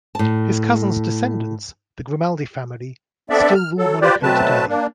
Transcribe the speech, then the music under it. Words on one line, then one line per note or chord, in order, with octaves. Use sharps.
His cousin's descendants, the Grimaldi family, still rule Monaco today.
A2 A5
B3 C4 D4 A4 D5 E5
F6
F#3 A4
F4 G4 B4 C5 D5
B2 F#3 A3 C4 B4 A5
A#3 D4